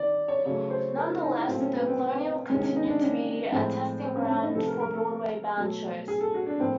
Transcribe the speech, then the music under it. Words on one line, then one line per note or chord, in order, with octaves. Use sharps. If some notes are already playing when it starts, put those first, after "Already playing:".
Nonetheless, the Colonial continued to be a testing ground for Broadway-bound shows.
Already playing: D#3 D5
C#5
C#3 F#3 A3 C#5
C5
A#4
E4
D#4
E4
A#2 F#3 A3 C4
C#4
B3
C4
C3 D#3 G#3 C#4
C#4
D#4
D4
C#4
A2 F3 G#3 C4
C4
C#4
C#4
D#4
C3 F3 A3 A4
A#4
A#4
A4
B2 F#3 A3
G#4
A4
F#4
D4
A2 F3 A#3 C4